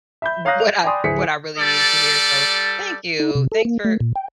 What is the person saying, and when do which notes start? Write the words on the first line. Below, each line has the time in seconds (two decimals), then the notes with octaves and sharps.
w what I what I really needed to hear. So, thank you. Thanks for
0.22 E5 B5 G6
0.45 C#5 F5 A#5 D#6 F#6 A#6
0.60 F7
0.84 D5 G5 G#5 B5 C6 D#6
1.04 D1 E4 G#4 C5 B6 C#7
1.58 G3 A4 D5
3.20 D#4
3.35 C3
3.52 A4
3.65 A#3
3.85 A3
4.00 A#2
4.16 G5